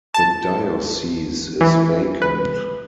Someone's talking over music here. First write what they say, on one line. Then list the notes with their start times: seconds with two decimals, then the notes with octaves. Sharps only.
The diocese is vacant.
0.14 A5
1.61 E3
2.22 B4